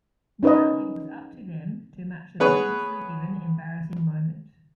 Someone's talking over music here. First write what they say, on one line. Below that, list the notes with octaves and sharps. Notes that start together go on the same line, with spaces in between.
Now it was up to them to match the previously-given embarrassing moment.
C#4 D#4 B4 D5 D#5
B3 G#4 B4 C#5